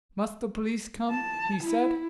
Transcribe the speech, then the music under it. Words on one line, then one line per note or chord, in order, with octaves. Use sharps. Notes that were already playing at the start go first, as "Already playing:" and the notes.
"Must the police come?" he said.
A5
E4